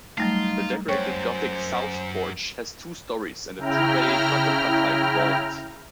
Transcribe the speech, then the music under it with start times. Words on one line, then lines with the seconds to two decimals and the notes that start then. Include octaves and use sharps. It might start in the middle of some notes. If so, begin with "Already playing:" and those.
The Decorated Gothic south porch has two storeys and a two-bay quadripartite vault.
0.18 F#3 G3 A3 D#4 F4
0.89 F#2 C5 C#5 G5 C#6
3.57 C#3 E4 G5 A#5 F6